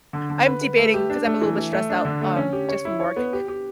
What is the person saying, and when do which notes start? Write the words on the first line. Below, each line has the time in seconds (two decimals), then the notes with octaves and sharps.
I'm debating 'cause I'm a little bit stressed out, um, just from work
0.13 D3
0.30 D3
0.46 B4
0.61 B4
0.77 A3
0.94 G4
1.10 D4
1.25 A3
1.41 E3
1.57 E3
1.73 A3
1.90 D4
2.05 D3
2.21 A3
2.36 C#4
2.53 G4
2.69 C#5
2.85 E4
3.00 C#5
3.16 B3
3.33 G4
3.48 G4